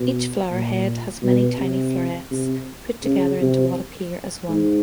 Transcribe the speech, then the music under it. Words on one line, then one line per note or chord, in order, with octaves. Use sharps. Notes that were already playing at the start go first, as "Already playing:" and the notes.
Each flower head has many tiny florets put together into what appear as one.
Already playing: B2
A#2
B2
C3
C3
C#3
C3
G#2